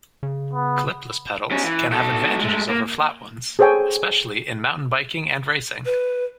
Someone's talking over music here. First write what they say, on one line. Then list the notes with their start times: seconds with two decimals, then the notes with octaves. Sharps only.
Clipless pedals can have advantages over flat ones, especially in mountain biking and racing.
0.23 C#3
0.53 B3
1.51 B2 C#4
1.63 E3
1.92 B2 A4
2.39 G#3 A3
2.69 A#3
3.59 G#4 A4 C5 C#5 G5 G#5
5.85 B4